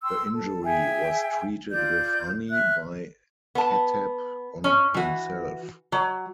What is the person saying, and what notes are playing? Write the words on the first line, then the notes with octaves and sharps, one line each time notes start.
The injury was treated with honey by Khattab on himself.
G5 C6 E6
A4
G#4 E5 G5 G#5
F4 D5 G6
E5 F6 F#6
B3 A5
C#4
E3 F#4
F#3